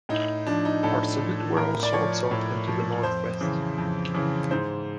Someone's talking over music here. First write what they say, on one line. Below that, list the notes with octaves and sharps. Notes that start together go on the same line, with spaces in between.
Parts of it were also absorbed into the North West.
A2 D#4
F3 D4
D#4
A2 A4
F3
A2 A#4
D5
F3 C#5
A2
F3
F2 C5
C#3 E3
F2
C#3 E3
G#2 C5